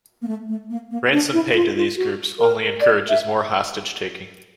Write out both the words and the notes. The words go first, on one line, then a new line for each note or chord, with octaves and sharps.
Ransom paid to these groups only encourages more hostage taking.
A#3
A3
A3
A#3
A#3
D4
E4
F4
F4
F#4
A#4
D5
E5